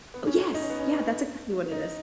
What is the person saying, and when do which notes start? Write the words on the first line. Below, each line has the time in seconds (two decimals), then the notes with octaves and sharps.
Oh, yes! Yeah, that's exactly what it is.
0.14 B3
0.27 C#4
0.40 C#4
0.54 D#4
0.63 C#4
0.70 B3
0.79 C#4
1.72 D#4